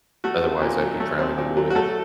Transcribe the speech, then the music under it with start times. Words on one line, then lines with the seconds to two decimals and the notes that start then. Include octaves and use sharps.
otherwise I'd be drowning in wood.
0.24 A3 F#4
0.43 C4
0.62 A#2
0.81 F#3
1.00 A3
1.19 C4
1.38 A#2
1.57 F#3
1.70 F#4
1.75 A3 A4